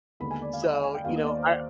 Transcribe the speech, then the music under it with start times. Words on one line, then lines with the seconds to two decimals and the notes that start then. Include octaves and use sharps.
So, you know, I
0.20 D#2 D3 G#3 B3 D#4 B5
0.31 G#5
0.42 D5
0.53 F5
0.62 D#5
0.73 F5
0.84 G#5
0.95 G5
1.05 D#2 D#3 B3 D#4 F5
1.16 D#5
1.27 D5
1.37 C5
1.44 D5
1.51 C5